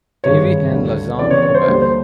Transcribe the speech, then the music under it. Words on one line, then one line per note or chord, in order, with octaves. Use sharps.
Davie in Lauzon, Quebec.
G#1 G2 E3 G#3 C#5
D2 D3 G3
E2 C#3 E3 D5
C#5
C#5
C5
D2 D3 G3 A#3 C5
C5